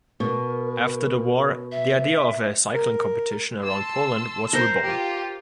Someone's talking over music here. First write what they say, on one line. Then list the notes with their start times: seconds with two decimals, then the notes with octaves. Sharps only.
After the war, the idea of a cycling competition around Poland was reborn.
0.20 B2 A#4
1.72 E5
2.73 A#4
3.64 A5 C6 E6
4.53 A#4 C5
4.85 F4 G4